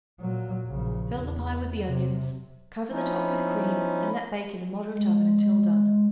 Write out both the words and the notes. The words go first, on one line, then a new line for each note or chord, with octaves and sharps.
Fill the pie with the onions, cover the top with cream and let bake in a moderate oven until done.
A#2 F#3
A#1 C#3
E2
C3
F3 B3 C#4 D#4 E4
G#3